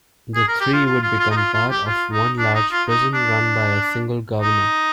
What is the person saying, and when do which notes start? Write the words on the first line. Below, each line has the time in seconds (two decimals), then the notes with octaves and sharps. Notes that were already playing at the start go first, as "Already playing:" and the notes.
The three would become part of one large prison run by a single governor.
0.35 G#4
0.48 A#4
0.60 G4
0.73 F4
0.86 F4
1.03 F4
1.20 F4
1.31 D#4
1.37 F4
1.53 F4
1.70 G4
1.87 F4
2.12 D#4
2.38 D4
2.54 D#4
2.71 F4
2.88 D#4
3.14 D4
4.41 D#4